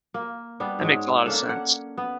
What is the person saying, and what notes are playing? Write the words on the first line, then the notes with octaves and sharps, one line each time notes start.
That makes a lotta sense.
A#3
G3 B3 D4
G#2 F#3 G#3
A#3 C#4 D4 A4
F#5
B3